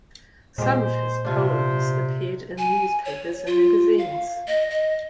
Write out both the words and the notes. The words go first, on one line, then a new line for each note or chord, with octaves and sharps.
Some of his poems appeared in newspapers and magazines.
A#2 G#3 G4 C5
C3 D4 F4 C5
G#5
C#5
F4
F5
D#5
D#5